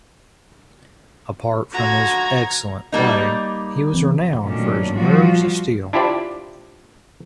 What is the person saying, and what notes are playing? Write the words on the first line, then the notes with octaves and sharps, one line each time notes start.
Apart from his excellent play, he was renowned for his nerves of steel.
D3 F3 F#4 A#5 G#6
G3 A#3 D#4
E3 C4
A#2 D#3 F#3 A3 C#4 D4
F3 G3 F4 F#4
D4 E4 F4 G4 C5 D5